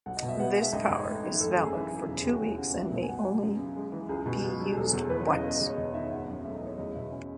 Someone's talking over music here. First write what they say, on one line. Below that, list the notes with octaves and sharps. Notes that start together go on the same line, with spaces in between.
This power is valid for two weeks and may only be used once.
B1 F#5
D#5
B2
E5
B3 F#5
G#3
E5
A1 D#5
G#2
A3
D#3
G#1 A4
A4
F#2
G#4
E3 E5
C#3
E1
G#4
D#2
F#4
E3 G#4
C#3 F#5
B1 E5
B2
G#5
B1 F#5
F#3
F#2
C#3
G#3
E3
C#2 G#4
B2
C#2
F#3
G#4
E1 A4
E2
E3 B4
C#5
C#3
D#5
E1 D#5
D#5
E2
C#5
E1 D#5
D#3 E5
G#1 F#5
F#2
A3 E5
D#5
E3
C#5
E2 D#5
B2 E5
C#4